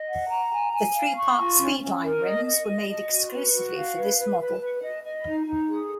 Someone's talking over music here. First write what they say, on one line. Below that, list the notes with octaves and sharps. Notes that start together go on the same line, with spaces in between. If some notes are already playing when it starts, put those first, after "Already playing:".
The three part Speedline rims were made exclusively for this model.
Already playing: D#5
F#5
A#5
G#5
G#5
F5
C#6
F4
C#4
C#4
A#4
D#5
D#5
D#5
D#5
F#4
B4
F#4
F5
B4
B4
B4
B4
D#5
D#5
D#4
D#4
G#4